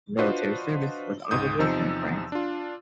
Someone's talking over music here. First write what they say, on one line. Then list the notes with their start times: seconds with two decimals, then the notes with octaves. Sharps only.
Military service was an obligation in France.
0.18 D4 F4 F#4 B4 C5 D#5
1.31 C#2 G#2 D#6 G6
1.59 E2 C3 F3 D#4 E6
2.32 D4 F4